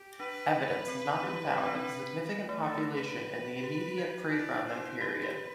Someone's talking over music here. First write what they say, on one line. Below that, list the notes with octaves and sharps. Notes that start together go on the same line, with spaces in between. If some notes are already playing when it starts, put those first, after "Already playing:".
Evidence has not been found of a significant population in the immediate pre-Roman period.
Already playing: G4
D4 B4
C4
G4
C4
D4
C4
B4
A3
A4
A3
B4
G4
F#4
E4 D5
D4
C5
E4
G4 B4
G4